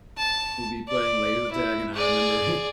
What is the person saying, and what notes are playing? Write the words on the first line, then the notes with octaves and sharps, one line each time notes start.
we'll be playing laser tag, and I remember
A5
D5
E4
G#4 D5